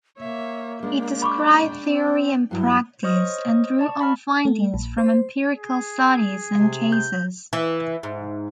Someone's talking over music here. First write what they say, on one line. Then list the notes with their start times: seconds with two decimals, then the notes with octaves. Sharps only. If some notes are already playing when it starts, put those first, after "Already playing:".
It described theory and practice, and drew on findings from empirical studies and cases.
0.18 A#3 C#5 E5
0.83 G#3 D4 G5
1.22 B5 C#6 D6
1.83 C4
2.51 G2 F#3 E4
3.03 C5 C#5 D#5 C#6 D#6 F6
3.79 D5 A5 C#6
3.99 F5 B5 C#6 F6
4.45 A3
4.74 A#1
4.98 C5
5.55 G#4
6.50 C3
6.92 G6
7.53 E3
8.03 G#2